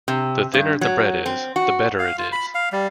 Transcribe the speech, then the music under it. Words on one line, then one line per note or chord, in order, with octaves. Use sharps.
The thinner the bread is, the better it is.
C3
G2
F#3
C4
F#4
F5
F4
B5
F5
G3